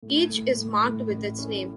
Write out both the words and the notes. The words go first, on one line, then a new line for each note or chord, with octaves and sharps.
Each is marked with its name.
A2
A2
A2
A2
A1
C#4